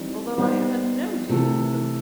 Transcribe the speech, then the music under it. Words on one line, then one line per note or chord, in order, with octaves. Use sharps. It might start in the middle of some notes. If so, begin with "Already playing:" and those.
Although I have had no dealing with them.
Already playing: E3 G3 C4 D#4
G3 B3 D#4 G4 C5
C3 E3 A3 E4 A4